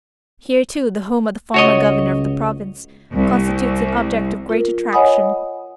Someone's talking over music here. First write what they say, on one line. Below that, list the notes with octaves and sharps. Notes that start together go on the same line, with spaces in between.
Here, too, the home of the former Governor of the Province constitutes an object of great attraction.
C#2 F#4 C#5 D#5
C2
F4 A#4
C#5 D#5 F#5 G#5 B5 D#6